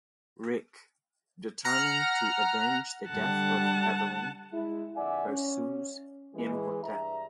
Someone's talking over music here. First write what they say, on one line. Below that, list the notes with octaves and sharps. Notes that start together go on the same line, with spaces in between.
Rick, determined to avenge the death of Evelyn, pursues Imhotep.
F#5 A#5 F6
D3 G3 F#5 A5
G#3 E4
F2 D3 D5 E5 F#5 G#5
C#4
E3 G#3
G2 E5 A#5